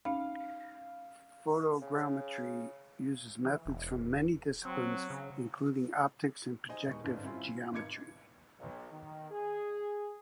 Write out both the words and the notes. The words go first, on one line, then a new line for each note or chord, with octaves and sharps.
Photogrammetry uses methods from many disciplines, including optics and projective geometry.
C#4 D#4 F5 B5
C#3
E3
E1
F#3 C4
C#3
D#4 C5 D#5 G#5
D#1 B2 G#3 D#4 C#6
G1 G#2 C#4 D4 G#5
G3 C4 C#4 E4 F4
G#1 B2 D#4 D6 G#6 C#7
B1
D#3
G#4